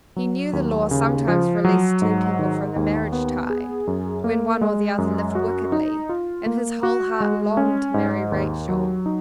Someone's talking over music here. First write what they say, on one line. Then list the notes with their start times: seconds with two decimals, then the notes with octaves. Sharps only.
He knew the law sometimes released two people from the marriage tie when one or the other lived wickedly, and his whole heart longed to marry Rachel.
0.16 F#3
0.53 D#2
0.91 C#3
1.28 F3
1.65 F#3
2.02 G#2
2.39 D#3
2.76 D#2
3.12 B3
3.50 G#4
3.87 F#2
4.24 A#3
4.61 G#3
4.98 F#2
5.35 F#4
5.72 D#4
6.09 F4
6.46 A#3
6.83 F#4
7.21 G#3
7.57 C#4
7.94 G#2
8.32 D#2
8.69 F#3
9.06 D#4